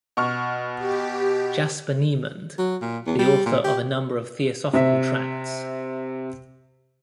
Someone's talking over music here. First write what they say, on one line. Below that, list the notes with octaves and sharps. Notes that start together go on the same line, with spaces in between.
"Jasper Niemand", the author of a number of Theosophical tracts.
B2 C#6 F6
G4
F#3
A#2
E2
G3
A#2
G4
C3 E5